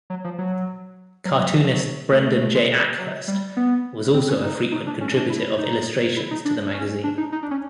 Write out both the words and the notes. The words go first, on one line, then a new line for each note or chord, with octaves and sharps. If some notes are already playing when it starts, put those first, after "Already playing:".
Cartoonist Brendan J Ackhurst was also a frequent contributor of illustrations to the magazine.
F#3
F3
F#3
F#3
F#3
F3
F3
F#3
A3
A3
A3
G#3
F#3
G3
B3
C4
C#4
D#4
D#4
D4
C#4
D4
E4
D#4
E4
D#4
D4
C#4
D4
D#4
D#4
D4
C#4